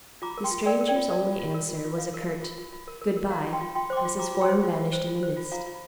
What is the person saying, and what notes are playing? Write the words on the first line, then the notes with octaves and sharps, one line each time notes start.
The stranger's only answer was a curt "Good-by," as his form vanished in the mist.
F4 A#5 D6
A#4
G5 C6
F4
A#4 D5 G5
A#4
D5 G5
F4
A#4 D5
F4
F4
A#4
F4
F4
F4 F5
A#4
F5
A#4
F4
F4
F4
A#4
A#4
A#4
F4 F5 A#5
F4
G5 C6
F4
F4 G5 C6
C5 D6
G5 C6
F4
F4 A#5 D6
F4
G5 C6
C5
F4
F4
C5
F4
C5
F4
F4 F5 A#5
F4